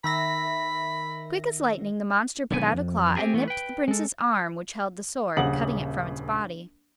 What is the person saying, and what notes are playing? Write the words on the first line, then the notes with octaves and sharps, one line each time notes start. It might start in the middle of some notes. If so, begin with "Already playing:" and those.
Quick as lightning the monster put out a claw and nipped the Prince's arm which held the sword, cutting it from its body.
D#3 E5 B5 A#6
B1 D3 D#3 B3 C#5 G#5
F2
C4 G4 G#4
E3 A3 B3
B4 G5
G#3 A4
D#1 A#1 C#3 F#5 F#7